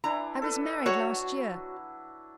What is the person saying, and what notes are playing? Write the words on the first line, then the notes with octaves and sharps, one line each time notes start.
I was married last year.
E3 D4 E4 A#5
A4 B4
F#3 F#4 C#5